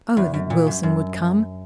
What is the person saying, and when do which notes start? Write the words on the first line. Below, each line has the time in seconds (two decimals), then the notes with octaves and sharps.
Oh, that Wilson would come!
0.17 E2
0.34 F#2
0.50 A#2
0.67 F#2
0.83 F#2